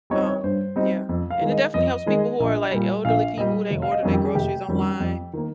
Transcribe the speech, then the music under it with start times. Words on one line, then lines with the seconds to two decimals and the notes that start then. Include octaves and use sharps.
um, yeah, and it definitely helps people who are like elderly people, they order their groceries online.
0.10 G3 C4 D#4 C#5
0.26 C#5
0.44 G2 C5
0.76 G3 C4 D#4
1.09 F2
1.30 F5
1.41 D#3 G#3
1.52 D#5
1.74 F2 D#5
2.06 D#3 G#3
2.40 A#1
2.71 A#2 G3
3.05 A#1 F5
3.37 A#2 G3 D#5
3.70 F1
3.82 F5
3.92 D#5
4.02 F2 D#3 G3 C#4
4.13 G4
4.25 G#4
4.35 F1 G4
4.68 F2 D#3 G3 C#4
5.00 F2
5.33 D#3 A#3